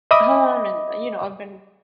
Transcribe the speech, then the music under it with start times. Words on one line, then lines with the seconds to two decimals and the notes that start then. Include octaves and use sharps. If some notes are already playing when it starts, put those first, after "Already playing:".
home and, you know, I've been
0.11 D#5 E5 B5 D6 D#6